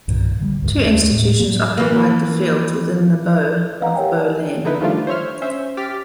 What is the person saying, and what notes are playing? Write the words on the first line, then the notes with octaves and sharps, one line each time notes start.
Two institutions occupied the fields within the bow of Bow Lane.
C2 G2 A#2 D#3
D3 F#3 G3
C#2 G2 C#3
D#2
A2
A2 F#3 A#3
E3 A#3
B4 D#5 F5 F#5 A#5
G4 A#4 C#5 D#5 G5 G#5
D5 A5
D3 D#4 E4 B4
D#3 F3 G3 A3 D4 F4
C5 C#5 E5 F6
C#4 C5 E5
G4 D6 F6 A6 B6